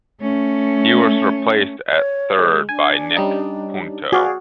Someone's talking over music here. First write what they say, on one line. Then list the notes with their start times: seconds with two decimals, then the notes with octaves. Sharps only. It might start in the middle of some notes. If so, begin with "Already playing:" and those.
He was replaced at third by Nick Punto.
0.21 A3 C#4
1.91 C#5
2.39 G#3
2.69 D4 G#5
3.16 G3 C#4 D#4
4.12 F#4 G#4 D5 F5